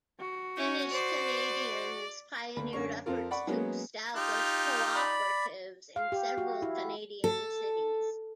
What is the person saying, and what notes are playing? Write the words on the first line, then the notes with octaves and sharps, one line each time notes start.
"Finnish Canadians" pioneered efforts to establish co-operatives in several Canadian cities.
F#4
C#4 G6
C5 D5
D2 A#3 B5
F#2 D3 C#5 C#6
F2 C4 F4 A#4
D5 F#5 B5 C#6
F#3 G#3 A#3 B3 C#4
D#4 F4 G4
D5 B5
F5
G4
F#4
E4
A4